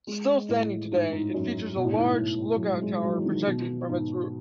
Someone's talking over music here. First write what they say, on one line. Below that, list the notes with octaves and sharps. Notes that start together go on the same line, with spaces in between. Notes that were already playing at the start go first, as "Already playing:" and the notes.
Still standing today, it features a large lookout tower projecting from its roof.
G#3
A2
G#2
G#2
F#2
B2
A2
G#2
A2
F#3
G#3
G#3
F#3
E3
D#3
B2
G#2